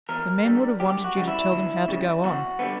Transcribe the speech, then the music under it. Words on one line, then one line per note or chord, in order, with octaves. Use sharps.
The men would have wanted you to tell them how to go on.
E2 A#4
D3 G3
D2 G4
F#4
C#3 G3
E4
D2
C#3 G3
E2 F#4
D3 G3 B3